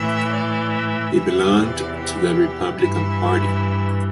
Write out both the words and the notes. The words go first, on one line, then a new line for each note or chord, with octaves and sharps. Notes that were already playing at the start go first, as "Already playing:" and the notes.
He belonged to the Republican Party.
Already playing: A2 E3 E5
D5
E5
E2 C3 E3
D5
G4
G2 E3 E4